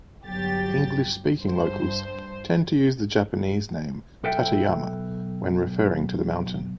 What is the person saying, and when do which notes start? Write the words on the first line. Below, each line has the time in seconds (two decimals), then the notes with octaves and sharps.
English-speaking locals tend to use the Japanese name Tateyama when referring to the mountain.
0.24 G1 F#3 G4 A6
1.38 G2 C5
4.24 B1 A4 B4 E5 G5